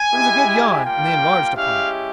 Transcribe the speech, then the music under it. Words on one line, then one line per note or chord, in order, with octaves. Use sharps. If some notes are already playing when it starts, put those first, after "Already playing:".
It was a good yarn, and they enlarged upon it.
Already playing: G#5
G#3 E4 G4
G3 A#3 F4 G5
G#3 C#4 E4 G4 F5